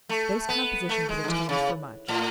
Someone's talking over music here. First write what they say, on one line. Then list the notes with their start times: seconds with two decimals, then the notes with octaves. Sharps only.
Those compositions would atone for much.
0.09 A3
0.49 B3
0.89 A3
1.09 G#3
1.24 D3
1.28 E3
1.49 C#3
2.08 A2